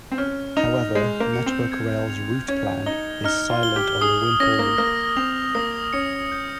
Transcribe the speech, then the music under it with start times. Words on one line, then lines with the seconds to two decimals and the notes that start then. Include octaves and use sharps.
However, Network Rail's Route Plan, is silent on the Whimple loop.
0.11 C4
0.18 C#4 F6
0.56 D#4 F7
0.95 G#3 G6
1.20 A#3
1.33 C#7
1.46 C4
1.72 G#6
2.10 F7
2.48 C#4 G#6
2.86 D#4 G7
3.24 D#4 F6
3.50 F4
3.63 G7
3.76 G4
4.01 G#4 D#6
4.40 C#4 A#6
4.59 A#3
4.78 A#3 F6
5.16 C4 F7
5.55 A#3 D#6
5.93 C#4 C#7
6.32 G6